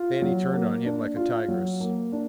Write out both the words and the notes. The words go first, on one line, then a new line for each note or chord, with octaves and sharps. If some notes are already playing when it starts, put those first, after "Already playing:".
Fannie turned on him like a tigress.
Already playing: F4
F#3
A#3
D4
F4
F#3
A#3
D4